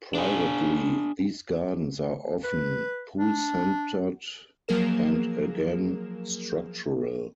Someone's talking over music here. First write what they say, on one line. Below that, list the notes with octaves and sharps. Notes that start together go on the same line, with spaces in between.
Privately, these gardens are often pool-centred and, again, structural.
D4 G#4
B4
D4
F3 F#3 A#3 G#4 A#4 E7